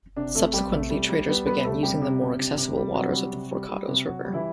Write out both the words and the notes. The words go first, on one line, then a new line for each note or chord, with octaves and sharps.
Subsequently, traders began using the more accessible waters of the Forcados River.
C3 D4
C3 A3 A4
G3 G4
C3 A3 A4
G3
G3
G3 B3 B4
G3 B3 B4
C3 A3 A4
C3 G3 G4
C3
C3
C3
C3
G3
C3 F#3 F#4
G3
C3
G3
G3
C3
C3 F#3 F#4
G3
E3 E4